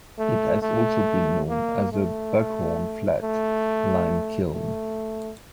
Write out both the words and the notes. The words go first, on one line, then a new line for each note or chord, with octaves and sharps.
It has also been known as the Buckhorn Flat Lime Kiln.
A3
A3
A#3
A3
A3
A3